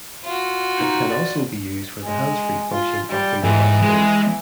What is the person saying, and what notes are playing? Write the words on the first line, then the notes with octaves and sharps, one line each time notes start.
It can be also used for the handsfree function of the mobile phone.
F4 F#4
D#4
D5
G#3
F4
G3
G#2 E3
G#3